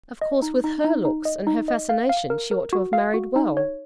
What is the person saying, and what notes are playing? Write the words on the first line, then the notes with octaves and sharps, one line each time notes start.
Of course, with her looks and her fascination she ought to have married well.
D#5
D#4
D#4
D#4
D#4
D#5
D#4
D#5
F5
F5
A#4
A#4
F#4
F5
F#4
D#4
C#5